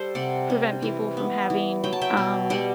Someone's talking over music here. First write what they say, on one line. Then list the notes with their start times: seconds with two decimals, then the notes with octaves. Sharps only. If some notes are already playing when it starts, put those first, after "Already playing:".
prevent people from having, um,
Already playing: G3 A4 C5
0.15 C3 D5 F#5
0.50 G3
0.82 E3
1.17 B3
1.50 E3
1.84 F#3 G5
1.93 A5
2.01 E5 G5
2.17 B2
2.50 G3 D5 F#5